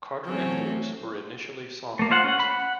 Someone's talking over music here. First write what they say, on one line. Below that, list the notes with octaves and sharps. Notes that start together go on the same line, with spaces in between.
Carter and Lewis were initially songwriters.
E3 F#3 A3 C4 C#4
A3 A#3
F4 C5 F5 F#5
C#4 F#5
B5
F#5